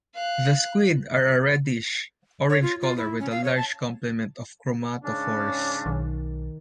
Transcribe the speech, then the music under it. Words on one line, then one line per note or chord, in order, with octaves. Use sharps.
The squid are a reddish orange colour with a large complement of chromatophores.
F5 F#6
C#5
F4
F4
E4
C#4
F5
C#5
A5
G#2 C#3 C#4 D4
B1 D#3